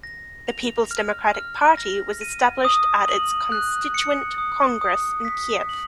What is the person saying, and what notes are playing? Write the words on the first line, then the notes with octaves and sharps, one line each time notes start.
The People's Democratic Party was established at its constituent congress in Kiev.
A#6
F7
F6
F6
A#6
D#7
D#6
F#7
F#6
C#7
D#6
D#6
B6
F#7